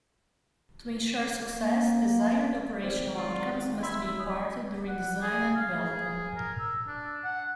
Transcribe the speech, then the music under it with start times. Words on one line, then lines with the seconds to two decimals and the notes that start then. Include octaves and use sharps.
To ensure success, desired operational outcomes must be imparted during design and development.
1.59 A#3
2.84 G#1 G3 C5 D5
3.18 F4
3.52 G3
3.83 E5 B5 C6 E6 G#6
4.20 C#4 D#6
4.88 F#5
5.22 G#4
5.55 F5
5.81 G#4
6.35 A#4
6.59 E6
6.87 D4
7.24 F#5